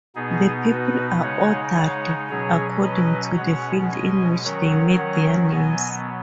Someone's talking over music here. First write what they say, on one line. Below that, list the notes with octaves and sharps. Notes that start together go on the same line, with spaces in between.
The people are ordered according to the field in which they made their names.
B2 B3 D#4 G#4
F#4 B4
C#3 G#3 D#4 C#5 F#5
C#5 F#5
B2 F#3 C#4 G#4 C#5
B4 D#5
B2 G#3 C#4 C#5 F#5
D#5 G#5
D#3 F#3 C#4 C#5 F#5
C#5 F#5
B2 F#3 B3 D#5 G#5